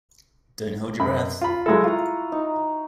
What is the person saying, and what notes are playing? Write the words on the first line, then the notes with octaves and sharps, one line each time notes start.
Don't hold your breath.
F#2 B5
F4 B5
F#3 G#3 E4 A4 D#6
F4 F#4 A#5
D#4